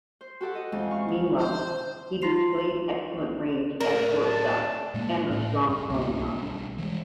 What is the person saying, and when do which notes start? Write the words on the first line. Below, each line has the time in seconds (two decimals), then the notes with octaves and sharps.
Meanwhile, he displayed excellent range at shortstop and a strong throwing arm.
0.21 C5
0.41 F#4 G4 A4 F#5
0.55 D#5
0.72 F2 E3 G#3 C#4
0.91 F5 C#6
1.08 G#3
1.38 C5
2.22 D#4 F4 C6 C7 F7
3.80 A2 D4 A#4
4.25 A5
4.94 A#2 G#3 A#3
5.31 A2
5.69 G2
5.89 C#2 B2 A#3 C#4
6.12 B1 G2
6.78 E3 G3 G#3